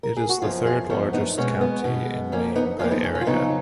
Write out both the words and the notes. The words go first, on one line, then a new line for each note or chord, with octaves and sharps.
It is the third-largest county in Maine by area.
A#4
G#4
F#4
F#2 F3 B3 C#4 F4
F4 G#4
F#2 F3 B3 C#4
B3 D#4
B2 G#3 B3 C#4
B3
B2 G#3 B3
F2 F3 A#3 C#4
B3 D#4
F2 F3 A#3 C#4 F4
B3 D#4
C#4
C#4
F4
F2 C#3 F#3 B3 D#4